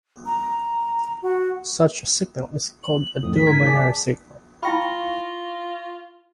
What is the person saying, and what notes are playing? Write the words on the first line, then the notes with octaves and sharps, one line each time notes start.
Such a signal is called a duobinary signal.
A#5
F#4
F#7
F2 A2 F3 D#6
B6
G#2 D#3 A#4 G#5
G#4 D5 G#5 A5
E4 F4 F5 G5 B5 C#6 A#6